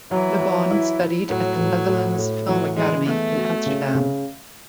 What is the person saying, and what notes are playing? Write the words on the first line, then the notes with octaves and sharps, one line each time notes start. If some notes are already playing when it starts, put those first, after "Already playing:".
Lebon studied at the Netherlands Film Academy in Amsterdam.
E3 F#3
F#3
E4
E4
A2 F#3
A2
A2
A2
E3 F#3
E3 G#3
A3 B3
F#4
C#3
C#3